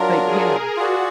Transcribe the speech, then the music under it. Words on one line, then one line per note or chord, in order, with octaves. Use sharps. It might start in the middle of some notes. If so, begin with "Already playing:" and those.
but yeah,
Already playing: F#3 D4 F4 A#4
G#4
F4 F#4 G#4 D5